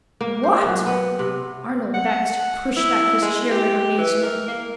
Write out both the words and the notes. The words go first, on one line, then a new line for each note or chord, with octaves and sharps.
"What!" Arnold Baxter pushed back his chair in amazement.
A#3
C5
F#3
B3
C3
F#5
E4
G#3
G4
E3
A#4
A#3